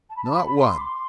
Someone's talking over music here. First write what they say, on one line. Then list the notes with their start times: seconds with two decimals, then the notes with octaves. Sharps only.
Not one.
0.10 A5
0.16 B5
0.24 A5
0.34 B5
0.59 C6
0.77 D6
0.84 C6